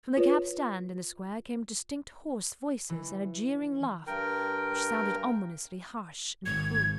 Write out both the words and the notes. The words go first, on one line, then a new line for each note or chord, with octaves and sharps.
From the cab-stand in the square came distinct hoarse voices and a jeering laugh which sounded ominously harsh and cruel.
F4 B4 C#5
E3
G2 A#4 G5
G#1 G#6